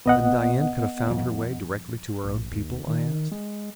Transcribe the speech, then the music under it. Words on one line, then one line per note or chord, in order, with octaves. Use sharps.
"Then Dian could have found her way directly to her own people?" I asked.
A#1 B3 D#5 F#5
D#1 F2
A#1
D#2
D#3
G#3